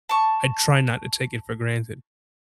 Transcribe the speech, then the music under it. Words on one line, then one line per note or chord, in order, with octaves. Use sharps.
I try not to take it for granted.
A5 C#6